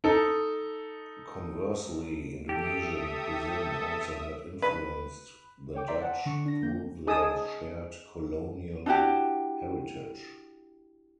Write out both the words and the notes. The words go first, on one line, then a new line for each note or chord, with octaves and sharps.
Conversely, Indonesian cuisine also had influenced the Dutch through their shared colonial heritage.
D#4 A4
G4 A4 E5 D#6
B4
C#5 G5 D6
D5 E5 G5 A#5 C6 B6
F#5 A5
D3 D4 C#6 C#7
D4 A#6
A#3 G6
D#4 G#4 A5 D#6 E6
D4 E4 F#4 G4